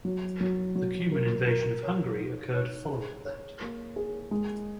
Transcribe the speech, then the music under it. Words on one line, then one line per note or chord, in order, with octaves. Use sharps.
The Cuman invasion of Hungary occurred following that.
F#3
F#3
F#3
A#4
A#4
C#5
D#4
C#5
G#4
C#5
A#3
G#4
G#3